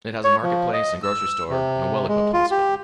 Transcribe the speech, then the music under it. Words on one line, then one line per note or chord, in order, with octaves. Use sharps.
It has a market place and grocery store, and a well-equipped hospital.
C#5
F3
D#5
E6
C3
G#3
F4
G4